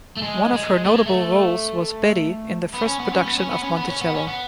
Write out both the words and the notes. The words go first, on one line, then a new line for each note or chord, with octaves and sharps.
One of her notable roles was "Betty" in the first production of "Monticello".
A3
G#3
G#3
A3
G#3
A3
B3
C#4
B3
C#4
B3
C#4
B3
C#4
B3
C#4
B3
C#4
B3